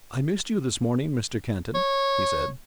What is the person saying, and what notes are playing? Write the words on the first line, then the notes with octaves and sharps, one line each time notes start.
"I missed you this morning, Mr. Kenton," he said.
C#5